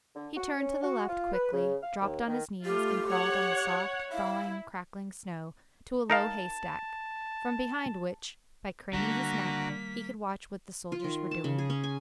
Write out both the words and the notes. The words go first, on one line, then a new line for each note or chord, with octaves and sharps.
He turned to the left quickly, dropped on his knees, and crawled on the soft, thawing, crackling snow to a low haystack, from behind which, by craning his neck, he could watch what the soldiers were doing.
D3
F#4
C#4
F#4
F4
B4
C#3
F5
D#2
D#3
A3 F4 G4
C#5 F#5
E4 F5
D#4 A#4 F5 A5
D3 D#3 G3 A#3 F#4 A#5 B6
F4
D#3
A5
C#3
G#4
C#4
G#5